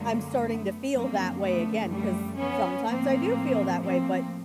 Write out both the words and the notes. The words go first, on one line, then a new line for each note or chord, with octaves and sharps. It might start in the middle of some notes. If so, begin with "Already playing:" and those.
I'm starting to feel that way again, 'cause sometimes I do feel that way, but
Already playing: F#2 D3 F#3 G#3 A#3
A3 B3
F#2 D3 F3 A#3 C4
A3 B3
G3 A3
B3 C#4
A2 F3 A#3 C4
A#3 C4